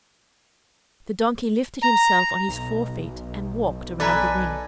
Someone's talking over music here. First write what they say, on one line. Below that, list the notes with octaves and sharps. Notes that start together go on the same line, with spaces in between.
The Donkey lifted himself on his four feet and walked around the ring.
A#5
B1
A4 B4 D5 G#5 A#5